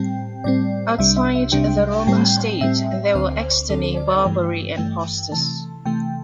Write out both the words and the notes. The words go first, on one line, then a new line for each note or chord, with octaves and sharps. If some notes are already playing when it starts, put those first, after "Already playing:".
Outside the Roman state, there were "externi", "barbari" and "hostes".
Already playing: A2 G3 C4 G5
A2 G3 C4 D5
C2 C3 G3 D4 E5
E5
E5
C2 C3 G3 D4 G5
A2 G3 C4 G5
A2 G3 C4 E5
D2 D3 C4 C5
D2 D3 C4 A4
A4
D5
D5
A5
G2 E3 A3 G5
G2 E3 A3 G5
C3 E3 A3 A5
C3 E3 A3 G5